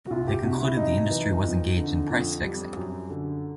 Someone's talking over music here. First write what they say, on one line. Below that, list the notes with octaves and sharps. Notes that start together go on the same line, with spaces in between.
They concluded the industry was engaged in price fixing.
F#4
C2 F4
G4
C3 F#4
E4
C2 D#4
E3
F2
D3
F2
G3
F#2
D3